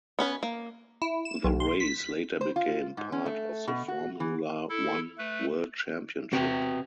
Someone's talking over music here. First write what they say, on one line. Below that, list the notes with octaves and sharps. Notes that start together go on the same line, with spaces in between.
The race later became part of the Formula One World Championship.
B3 C#4 B4
A#3
E4
E7
B1
C6
B6
C5
F4
G#2
C#4
A3
B2
F#4
E3
E4 A4
A3 B4
C3 F#4 B4 G5